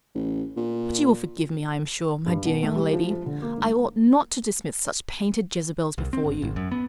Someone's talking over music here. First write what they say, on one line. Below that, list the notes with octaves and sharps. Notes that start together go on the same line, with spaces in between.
But you will forgive me, I am sure, my dear young lady: I ought not to discuss such painted Jezebels before you.
A1
A#2
G2
B2
A3
G3
F3
F3
D3
A#3
G#1
C2
C4
G#1
G#1
F#2
B3